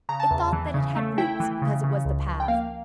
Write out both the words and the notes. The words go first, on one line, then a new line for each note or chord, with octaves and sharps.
It thought that it had roots, because it was the past.
C#3 A#5
A5
E2
E3
C#3
A3
E4 G5
E3
C#3
C#3
C#2
F3
G5
A#3 F5